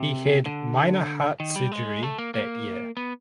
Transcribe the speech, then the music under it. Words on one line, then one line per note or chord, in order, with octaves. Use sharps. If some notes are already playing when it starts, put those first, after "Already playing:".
He had minor heart surgery that year.
Already playing: C3
D3
D#3
G3
G#3
A3
A#3
A#3
B3